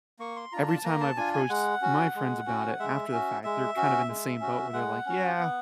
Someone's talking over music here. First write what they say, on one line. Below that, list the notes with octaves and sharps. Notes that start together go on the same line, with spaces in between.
every time I've approached my friends about it after the fact, they're kind of in the same boat where they're like, "Yeah,
A#3 C#6
C6
D4 F4 A#5
A5
A#3 A#5
A5
D4 F4 G#5
G#5
G#3 F#5
C#4 F#4
G#3
C#4 F#4
G#3 E5
C#4 F#4
G#3 E5
C#4 F#4
G#3
C#4 F#4
G#3 F#5
C#4 F#4
B3